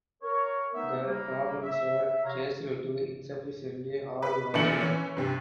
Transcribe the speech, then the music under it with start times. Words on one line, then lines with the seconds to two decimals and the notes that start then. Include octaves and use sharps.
The problems were traced to insufficiently hard vacuum.
0.23 A#4 C#5
0.75 A3 B3 D#4 B4 E5
1.04 G3 A#3
1.61 E5
2.24 C3 C#5 F5 A#5
4.22 B4
4.54 A#2 D3 E3 E4 C#7 F#7
4.81 E3 C#4
5.17 G2 C3